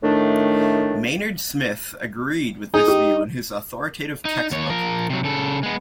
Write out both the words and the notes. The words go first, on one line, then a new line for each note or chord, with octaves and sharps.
Maynard Smith agreed with this view in his authoritative textbook.
A2 D#3 A3 D4
D#4 G#4
G4
D#4 D#5
D#2 C#5
F3 A#4
C3 F#3
C#3 A4
G#3 B3